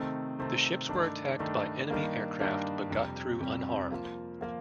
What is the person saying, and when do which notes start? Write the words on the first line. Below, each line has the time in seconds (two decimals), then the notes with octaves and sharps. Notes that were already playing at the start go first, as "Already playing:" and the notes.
The ships were attacked by enemy aircraft but got through unharmed.
Already playing: C3 D#3 A3 C4
0.39 C3 D#3 A3 C4
0.89 G2 D#3 A3 D4
1.39 G2 D#3 A3 D4
1.90 G2 D#3 G3 A#3 D4
2.40 G2 D#3 G3 A#3 D4
2.90 F2 C3 G3
3.40 F2 C3 G3
3.91 F3 A#3 F4
4.41 F3 A#3 F4